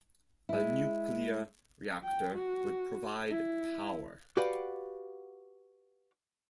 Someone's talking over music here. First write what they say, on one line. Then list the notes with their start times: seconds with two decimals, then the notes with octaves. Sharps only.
A nuclear reactor would provide power.
0.49 G#3 E4
2.04 G5
2.35 F#4
3.31 E4
4.37 F#4 G4 B4 D5 F5 F#5